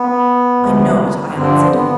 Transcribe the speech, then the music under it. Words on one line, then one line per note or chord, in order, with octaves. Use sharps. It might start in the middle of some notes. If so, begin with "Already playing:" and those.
'I know it,' I answered.
Already playing: B3
D2 C3 F3
G2 D3 F3 C4
B3